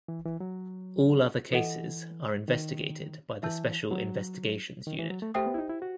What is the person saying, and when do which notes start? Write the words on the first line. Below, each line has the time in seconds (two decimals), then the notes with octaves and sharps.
All other cases are investigated by the Special Investigations Unit.
0.08 E3
0.25 E3
0.40 F#3
1.52 E3 A4 D#5 F#5
2.48 D#3
3.43 E3 E5 A5 E6 G6
3.91 F#3
4.87 D#3
4.99 E3
5.10 F#3
5.22 A3
5.34 A3 G4 C5 E5 G5 D#6
5.46 B3
5.54 E4
5.58 D#4
5.70 E4
5.82 F#4